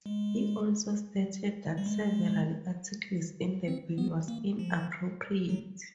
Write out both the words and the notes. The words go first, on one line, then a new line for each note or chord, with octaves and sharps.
He also stated that several articles in the bill was inappropriate.
G#3
G3
G#3
C4
B3
A#3
F3
F#3